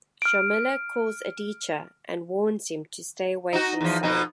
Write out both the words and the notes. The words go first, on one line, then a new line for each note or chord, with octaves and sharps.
Sharmila calls Aditya and warns him to stay away from Sai.
F6 D7
D#4 F#4
E2 F3
F2 B2 D#4